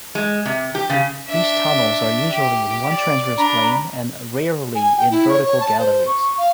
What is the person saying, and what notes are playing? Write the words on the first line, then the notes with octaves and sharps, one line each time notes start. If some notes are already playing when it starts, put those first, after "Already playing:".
These tunnels are usually in one transverse plane and rarely in vertical galleries.
G#3
C3
G4
C#3
D4 E5
G4
D5
D4 A#5 B5
G#5
G5
E4
C#5
C#5
A5
C5
C#6
F5